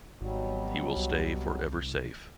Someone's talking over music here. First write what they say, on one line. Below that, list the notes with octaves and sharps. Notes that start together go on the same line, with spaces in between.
He will stay forever safe.
G#1 B2 F#3 G3
C2